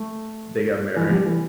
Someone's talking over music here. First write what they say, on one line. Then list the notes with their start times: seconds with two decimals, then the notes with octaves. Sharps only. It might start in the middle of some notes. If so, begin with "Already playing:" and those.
they got married.
Already playing: A3
0.96 E3
1.04 F3
1.11 G3
1.26 E3